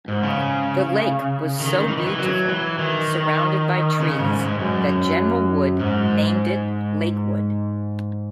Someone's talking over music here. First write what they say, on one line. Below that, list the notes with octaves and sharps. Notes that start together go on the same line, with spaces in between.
The lake was so beautiful surrounded by trees that General Wood named it Lakewood.
G#2
C#3
D#3
E3
D#3
E3
F#3
E3
D#3
C#3
G#2
G#2
F#2
G#2